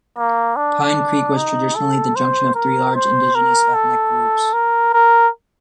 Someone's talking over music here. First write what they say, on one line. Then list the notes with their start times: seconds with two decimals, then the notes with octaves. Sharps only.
Pine Creek was traditionally the junction of three large indigenous ethnic groups.
0.18 A#3
0.56 D4
1.37 D#4
1.76 A4
2.16 C5
2.55 A#4
2.95 C5
3.35 A#4
3.74 A4
4.53 A#4
4.94 A#4